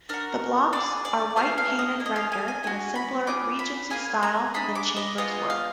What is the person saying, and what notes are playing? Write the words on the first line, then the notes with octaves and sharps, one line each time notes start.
The blocks are white painted render in a simpler Regency style than Chambers' work.
D4 F#4 A#4
D4 G#4 D5
D5
B3 F4 G#4 F5
F5
D#5
A#3 D4 G#4
D#5
F5
G#5
G#5
D4 F#4 G#5
B5
D4 F4 G#4 D6
B5
A#3 F4 G#4 G#5
A#5
D4 G#4 B5
D6
D#5
B3 F4 G#4 D#5
F5